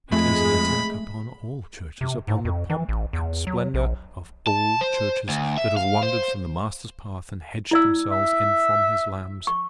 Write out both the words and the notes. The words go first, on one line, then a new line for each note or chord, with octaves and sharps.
It is an attack upon all churches, upon the pomp and splendor of all churches that have wandered from the Master's path and hedged themselves in from his lambs.
F2 G#3 A3 B5
C3
G#2
F2
E3
A1
E2
F#3
A#1
A5
C5
D2
E5
F5
C5
E4 D5 E6
E5
C#6